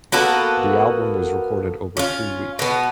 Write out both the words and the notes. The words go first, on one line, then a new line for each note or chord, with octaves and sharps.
The album was recorded over three weeks.
A#3 B3 F#4 A4
C#4 F4
B2 B3